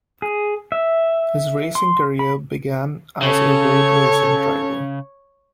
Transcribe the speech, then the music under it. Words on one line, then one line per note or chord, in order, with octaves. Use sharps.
His racing career began as a road racing driver.
G#4
E5
C6
B5
C#3 A4 C#5